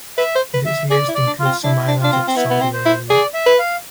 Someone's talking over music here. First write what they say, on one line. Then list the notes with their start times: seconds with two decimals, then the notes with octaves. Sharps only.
This list includes some islands of Saudi Arabia.
0.18 B4 E5
0.36 C5
0.54 B4
0.66 E5
0.90 G#4 D5
1.08 E4
1.15 D5
1.27 D4
1.39 F4
1.45 C4
1.64 D4 E4
1.88 D4
2.01 D4 F4
2.13 C4
2.28 C4
2.36 B3 E4
2.50 B3
2.61 C4
2.73 C5
2.86 E4
3.09 G#4 D5
3.34 E5
3.46 B4
3.59 F5